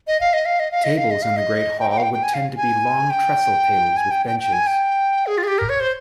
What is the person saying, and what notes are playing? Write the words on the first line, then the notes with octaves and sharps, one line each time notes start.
Tables in the great hall would tend to be long trestle tables with benches.
D#5
F5
D#5
F5
D#5
F5
D#5
F5
D#5
F5
D#5
G5
G5
F5
G5
G5
G#5
F5
G#5
G5
G#5
G5
G5
G5
G#5
G5
G#4
F4
G#4
G4
A#4
C#5
C5